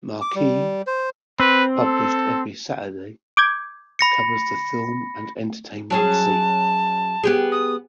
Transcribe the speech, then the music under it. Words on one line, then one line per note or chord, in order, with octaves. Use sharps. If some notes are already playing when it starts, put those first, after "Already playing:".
"Marquee", published every Saturday, covers the film and entertainment scene.
D6
G3
C5
C4 B4
A4
D6 G6 G#6
B5 A#6 C#7
F#3 C#4 G#4 A5
B3 G4 G#4
D#6